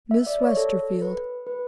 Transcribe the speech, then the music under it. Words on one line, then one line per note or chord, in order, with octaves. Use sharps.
Miss Westerfield.
E5
D5
C#5
A4
B4
B4